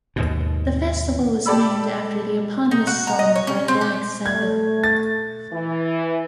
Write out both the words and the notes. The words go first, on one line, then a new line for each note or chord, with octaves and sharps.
The festival was named after the eponymous song by Black Sabbath.
D#2 G#2 B2
G4 A4 D5 B5 E6
D#4
F#4
A#5
D#5
C#5
C#4
C4
G4
A3 G#6
A6
E3